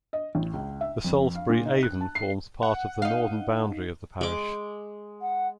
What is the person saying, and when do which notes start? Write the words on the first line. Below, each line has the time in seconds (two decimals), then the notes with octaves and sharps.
The Salisbury Avon forms part of the northern boundary of the parish.
0.13 D#5
0.35 A1
0.53 C#2
0.81 E5
1.04 F2
1.35 F5
1.50 A#2
1.65 D#4
1.83 F#6
2.01 A5
2.15 C7
2.63 F#5
3.02 D#4 F5
4.21 G#3 D6
5.22 F#5